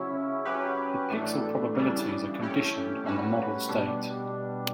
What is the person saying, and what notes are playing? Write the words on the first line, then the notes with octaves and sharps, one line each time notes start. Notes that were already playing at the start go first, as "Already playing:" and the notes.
The pixel probabilities are conditioned on the model state.
Already playing: C#3 F#3 C#4 E4
F#3 C#4 G4 B4
A2 E3 A3 D4
C#3 E3 G3 D4
E3 A3 C#4 G4
A2 G3 C#4 F#4 B4
B2 G3 D4